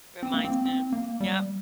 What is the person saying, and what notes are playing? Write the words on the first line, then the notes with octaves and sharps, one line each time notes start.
Reminds him, yep.
C4
A#3
C4
C4
A#3
G3